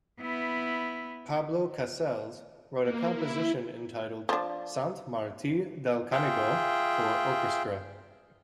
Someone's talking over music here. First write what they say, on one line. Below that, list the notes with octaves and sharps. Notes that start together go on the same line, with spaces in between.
Pablo Casals wrote a composition entitled "Sant Marti Del Canigo" for Orchestra.
B3 E4
A#3
E4
F3 D4
F4 G#4 E5 G5